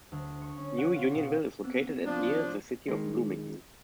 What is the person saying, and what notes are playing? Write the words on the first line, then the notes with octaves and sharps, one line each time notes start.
New Unionville is located at near the city of Bloomington.
D2
C#6
C#4
F#5
F4
B2
B3 C4
F3 D4
D#3 G#3